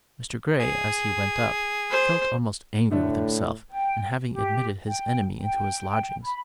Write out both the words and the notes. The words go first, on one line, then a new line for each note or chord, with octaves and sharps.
Mr. Grey, as he went up, felt almost angry with himself in having admitted his enemy into his lodgings.
G#4
C5
A2 D3 A3 D4
G5
G4
G5
G5
B5